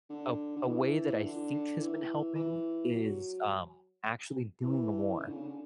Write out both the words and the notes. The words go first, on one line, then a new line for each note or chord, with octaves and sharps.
a a way that I think has been helping is, um, actually doing more,
D3
D3
E3
D3
E3
E3
F#3
E3
C#3
D3
C#3
D3